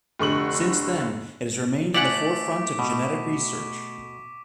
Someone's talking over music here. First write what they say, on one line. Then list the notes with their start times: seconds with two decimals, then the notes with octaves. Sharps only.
Since then, it has remained in the forefront of genetic research.
0.19 F1 D3 C#6 F#7
1.94 A3 D5 F#5 G#5 D6 F#6 B6 D7
2.79 B2 C#6